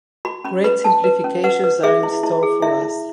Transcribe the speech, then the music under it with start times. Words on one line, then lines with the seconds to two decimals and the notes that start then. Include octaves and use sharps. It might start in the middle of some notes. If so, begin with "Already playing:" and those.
Great simplifications are in store for us.
0.25 F#4 B5
0.45 C#4 B5
0.64 B4 B5
0.84 C#4 A5
1.04 B4
1.24 C#4
1.44 B4 F#5
1.64 B4
1.83 G#4 E5
2.03 E4
2.23 E4
2.43 G#4
2.62 E4 E5
2.82 E4